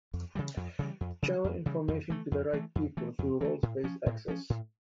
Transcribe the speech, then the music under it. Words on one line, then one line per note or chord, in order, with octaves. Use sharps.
Channel information to the right people through roles-based access.
F2
C#3 E3 G3
F2
C#3 E3 G3
F2
C#3 E3 G3
F2
C#3 E3 G3
F2
E3 A3
F2
E3 A3
F2
E3 A3
F2
E3 A3
A2
F3 C#4
A2
F3 C#4
A2